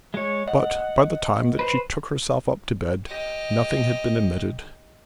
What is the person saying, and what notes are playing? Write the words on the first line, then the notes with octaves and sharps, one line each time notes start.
But by the time that she took herself up to bed, nothing had been omitted.
G#3 C#5
D#5 F#5
B4 C5
G4 D#5